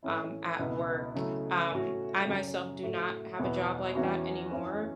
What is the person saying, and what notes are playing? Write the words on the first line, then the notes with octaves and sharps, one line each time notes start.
um, at work. Um, I myself do not have a job like that anymore,
A2 E3 C#4 E4
C#2 B2 B3 E4
C#3 F#3 A3 E4
A2 A3 C#4 F#4
F#2 C#3 F#3 C#4
A2 A3 F#4
E2 B2 B3 E4
E2 E3 C#4 F#4
F#2 E3 C#4 E4